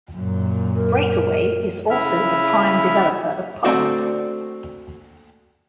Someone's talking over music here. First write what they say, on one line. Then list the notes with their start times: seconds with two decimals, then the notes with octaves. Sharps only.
BreakAway is also the prime developer of Pulse!!
0.14 F#2 A#2
0.76 A#4
1.90 C#3 E4 E5 F6
3.64 A3 C4 D4 F#4